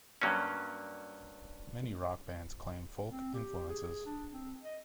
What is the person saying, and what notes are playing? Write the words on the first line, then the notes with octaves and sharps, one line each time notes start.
Many rock bands claim folk influences.
G2 F#3 A#3 C#4
C4
G4
G#4
D4
C4
D#5